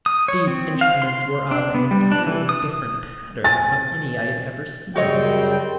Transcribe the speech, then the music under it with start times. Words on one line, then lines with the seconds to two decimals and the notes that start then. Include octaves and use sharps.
These instruments were of an entirely different pattern from any I had ever seen.
0.06 D#6
0.28 C#5
0.47 C4
0.81 F5
1.02 C6
1.51 D4
1.75 B3
1.91 G3
2.12 D4
2.27 E3
2.49 D#6
3.44 G#5 A6
4.96 F#2 C#3 G3 C4 F#4 C#5 D#5 G5